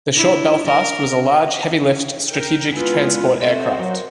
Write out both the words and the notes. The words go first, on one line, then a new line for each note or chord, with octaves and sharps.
The Short Belfast was a large heavy-lift strategic transport aircraft.
D4 E4
A#4
A#4 G5
G#3 B3 E4 F4 B4
C4 F#4 A4 C5 E5
F#3 A#4